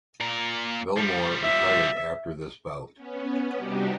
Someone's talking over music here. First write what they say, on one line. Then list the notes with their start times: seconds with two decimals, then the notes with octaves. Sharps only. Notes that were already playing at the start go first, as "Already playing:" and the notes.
Villamor retired after this bout.
0.21 A#2 A#4
0.98 F3 G3
1.43 E5
2.95 B3 C#4
3.57 C3 G3 D4 D#4 F#4 G4